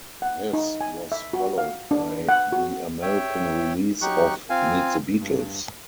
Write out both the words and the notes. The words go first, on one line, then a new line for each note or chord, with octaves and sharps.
This was followed by the American release of Meet the Beatles!
F#5
D#4
G#5
E5
F#4
F5
D4
B4
F#5
F#4
C#5 E5 G5
F#3 D#4 G4 C#6 F#6
C4 F4 F5 G#5
G2